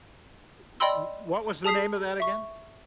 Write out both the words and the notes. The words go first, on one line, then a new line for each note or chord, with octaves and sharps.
W w what was the name of that again?
D5 D#5 G5 B5 C6 E6
G#4 A5 D#6 B6 C7
E5 C#6